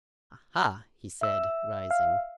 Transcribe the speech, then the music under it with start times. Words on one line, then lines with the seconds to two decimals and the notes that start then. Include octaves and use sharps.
"Aha!" he said, rising.
1.21 E5 E6
1.91 F5